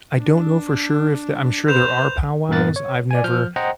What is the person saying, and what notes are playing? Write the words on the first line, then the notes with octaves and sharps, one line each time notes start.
I don't know for sure if the I'm sure there are powwows. I've never,
D4
B4 C5 G6 E7 F7
G2 A#2 B3 A#4 F#6 A6
C#5
D5 G#5
F3 F6 G6
C5 D#5 F#5 G5 A#5